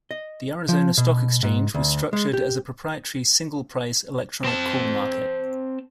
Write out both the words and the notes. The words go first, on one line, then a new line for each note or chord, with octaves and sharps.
The Arizona Stock Exchange was structured as a proprietary "Single Price" electronic call market.
D#5
F3
B2
G#2
D2
G#3
G4
C4 A5